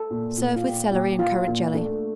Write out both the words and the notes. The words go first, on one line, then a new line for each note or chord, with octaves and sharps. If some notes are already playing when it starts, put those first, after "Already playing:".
Serve with celery and currant jelly.
Already playing: A4
A#2
A#2
F4
A#2 G4
A#2 G4
A#2 F4
A#2
A3 D4